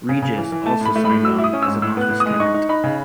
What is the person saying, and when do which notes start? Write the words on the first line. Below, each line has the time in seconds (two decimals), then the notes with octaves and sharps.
Regus also signed on as an office tenant.
0.09 C#3
0.22 C#3
0.38 E3
0.52 E3
0.66 A3 A5
0.81 A2 B5
0.96 A3
1.05 A2 B5
1.24 F#3 E6
1.39 E4
1.44 D#6
1.53 C#4
1.63 E6
1.68 G#2
1.82 A2 E6
1.97 B3 F#6
2.11 A2
2.20 D#6
2.26 G#3
2.40 D#4 C#6
2.54 D#4
2.69 D#4 B5
2.84 C#3